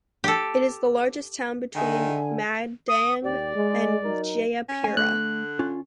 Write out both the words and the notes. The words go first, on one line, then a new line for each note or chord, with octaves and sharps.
It is the largest town between Madang and Jayapura.
G4 A4
D3 D#3 G#3 E5 G#5
D#6
D#2 G4 D5
G#3
F#3 D#4 A#4
C#4
A3 G#5
D3 A3 F#6
C#4 F4